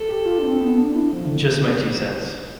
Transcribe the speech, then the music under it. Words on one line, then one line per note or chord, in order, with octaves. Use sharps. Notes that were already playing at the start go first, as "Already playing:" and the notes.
Just my two cents.
Already playing: A4
G4
F4
D4
C4
B3
D4
E4
F3
D3